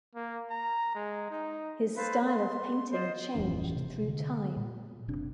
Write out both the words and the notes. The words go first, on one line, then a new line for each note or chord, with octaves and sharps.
His style of painting changed through time.
A#3
A#5
G#3
D#4
A4 B4 C5 F5
C6
F4 C5 D#5
D1 F2 E3 C#4
C3
D3
A#2
F#1 C3 C4 D4